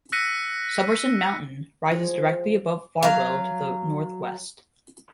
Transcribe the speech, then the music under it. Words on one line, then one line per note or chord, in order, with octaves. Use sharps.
Summerson Mountain rises directly above Farwell to the northwest.
E6 F#6 A#6 B6 C#7 D#7
F3 G#3 C#5
F#3 F5